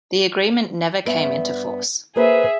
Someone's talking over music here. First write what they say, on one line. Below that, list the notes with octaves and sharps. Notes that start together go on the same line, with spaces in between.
The agreement never came into force.
G2 B3 E5
A#3 G#4 B4 C5 E5